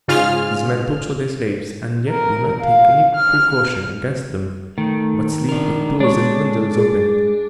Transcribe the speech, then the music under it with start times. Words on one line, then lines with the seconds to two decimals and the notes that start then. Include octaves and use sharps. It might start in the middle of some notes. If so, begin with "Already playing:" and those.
These men torture their slaves, and yet do not take any precaution against them, but sleep with doors and windows open.
0.08 G#2 C#3 F4 G#4 F6
2.09 A#4
2.61 F5
3.16 F6
4.78 D#3 A3
5.49 D4 A#4
6.00 G#3 D4 C#5 C#6
6.77 G#4